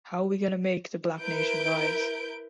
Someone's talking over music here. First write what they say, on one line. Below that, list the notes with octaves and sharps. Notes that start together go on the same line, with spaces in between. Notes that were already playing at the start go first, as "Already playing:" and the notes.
How We Gonna Make the Black Nation Rise?
E4 A#4 B4 G6 D7